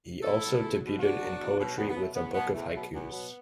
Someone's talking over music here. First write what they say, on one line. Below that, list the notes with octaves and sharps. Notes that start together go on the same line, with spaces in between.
He also debuted in poetry with a book of haikus.
E2 E4 A4
B2 F#3
E2
B2 F#3
E2 D4 F#4
B2 F#3
E2
B2 F#3
E2 B3
B3
B2 F#3
A3
E2 B3
B2 F#3 B3
E2 A3
B2 F#3
E2 B3
B2 F#3